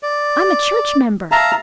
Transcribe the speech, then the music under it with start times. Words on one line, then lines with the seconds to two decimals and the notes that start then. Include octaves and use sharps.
I'm a church member.
0.03 D5
1.32 E5 F5 A5 A#5